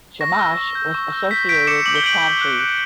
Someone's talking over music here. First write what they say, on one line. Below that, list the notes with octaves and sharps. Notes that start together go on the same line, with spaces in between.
Shamash was associated with palm trees.
C#6 A#6
E6
C#6
G6
C#6
E6
G6 B6
G6 B6 D7
D6 C#7 E7
D6 F#7
G7
G6 D7 F#7
G6
F#6
F#6